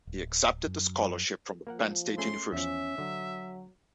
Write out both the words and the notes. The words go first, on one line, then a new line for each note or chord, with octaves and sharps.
He accepted a scholarship from Penn State University.
D1
F#2
F3 A#3 A#4 F#5
A3 C#4 G#4 C6
E2 F3 C#4 E5
D3 F#3